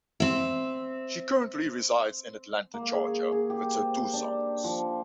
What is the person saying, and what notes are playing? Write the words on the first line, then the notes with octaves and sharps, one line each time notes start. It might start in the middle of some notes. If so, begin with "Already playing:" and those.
She currently resides in Atlanta, Georgia with her two sons.
C4 E5
A#3
G#4
C#6
G#4
G4
C5
D4
F3